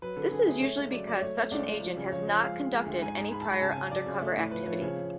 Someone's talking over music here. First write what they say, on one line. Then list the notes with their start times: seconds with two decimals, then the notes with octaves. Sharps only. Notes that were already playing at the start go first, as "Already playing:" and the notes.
This is usually because such an agent has not conducted any prior undercover activity.
0.02 F#3 B4
0.16 D3 A4
0.31 D3 G#4
0.47 A3 G#4
0.61 A3 C#5
0.77 C#2
0.91 F#3 D5
1.07 F#3 D5
1.22 A3 C#5
1.37 A3
1.51 C#2 D5
1.67 C#2
1.81 F3
1.97 C#3
2.12 F3 C#5
2.27 F3
2.42 G#3 F5
2.56 G#3
2.72 G#3
2.86 D2
3.02 G#2 G#5
3.17 G#2
3.32 G#3 B5
3.41 A5
3.47 G#2 B5
3.61 C#3 A5
3.71 G#5
3.77 C#3
3.91 F#3 D5
4.06 C#3
4.22 A3
4.37 A2
4.51 F3 B4
4.66 F3 C#5
4.81 C#3 C#5
4.96 C#3